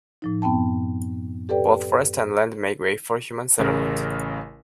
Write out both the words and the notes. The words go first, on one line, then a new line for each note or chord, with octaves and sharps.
Both forests and land make way for human settlement.
A2 F3 D#4
F#2 B3 C4 G5 A5
G4 A4 B4 D5 G5
A1 C#3 A#4